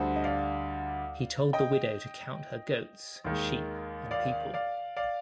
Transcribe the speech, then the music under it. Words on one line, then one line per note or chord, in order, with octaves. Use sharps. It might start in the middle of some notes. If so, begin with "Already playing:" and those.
He told the widow to count her goats, sheep and people.
Already playing: D2 D3 G3 C5
D#5
D5 F5
D#5 G5
D#2 D#3 G#3
D5 F5
D5 F5
D5 F5